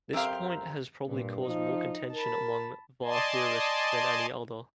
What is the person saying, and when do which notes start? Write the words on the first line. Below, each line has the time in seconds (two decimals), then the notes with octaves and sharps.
This point has probably caused more contention among VaR theorists than any other.
0.13 F#2 C4 G4 A#4 F5
1.07 G2 A#2
1.47 F3 D#4
2.14 A#4 A5 B5
3.04 D5 D#5 G#5 A5 C6